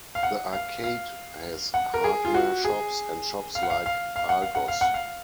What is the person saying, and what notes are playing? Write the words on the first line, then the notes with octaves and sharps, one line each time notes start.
The arcade has hardware shops and shops like Argos.
F5
F#5
F5
F5
F#5
A#4
G#4
F4
F#4
G#4
F5
F#5
F5
F5
F5
F#5
F5
F#5
F5
F#5
F5